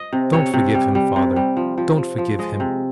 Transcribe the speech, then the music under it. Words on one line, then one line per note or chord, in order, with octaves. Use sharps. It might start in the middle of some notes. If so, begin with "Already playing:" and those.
'Don't forgive him, father, don't forgive him!
Already playing: D#5
C3
C3 C#5
C3
G3
G3
C3
G3
F3
F3
F3
F3
G#3 D#5
C3